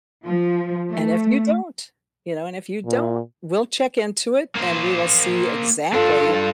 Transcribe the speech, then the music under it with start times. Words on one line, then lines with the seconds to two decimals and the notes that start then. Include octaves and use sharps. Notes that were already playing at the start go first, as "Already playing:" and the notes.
And if you don't you know, and if you don't, we'll check into it, and we will see exactly,
0.25 F3
0.92 A3
2.86 A#2
4.57 A#3 C5
5.93 G2 D4 F4 A4